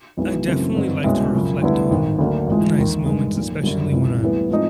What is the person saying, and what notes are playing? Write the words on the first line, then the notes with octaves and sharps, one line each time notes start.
I definitely like to reflect on nice moments, especially when I'm
B1 B2 G#3 B3 E4
F#2 C#3 E3 A3 C4
G2 D3 G3 C4 D#4
C2 B2 G#3 C#4
F#2 C#3 F3
D2 D3 G3 B3 E4
G#1 G#2 D#3
D2 D3 F#3 A#3
A1 G#2 F3 G#3
E1 D#2 D#3
G2 D#3 G#3
B1 A#2 F3
F#1 F#2 D3 G3
C#2 C3 E3
A1 A2 E3 G3 B3
A2 F3 G#3 C4 D#4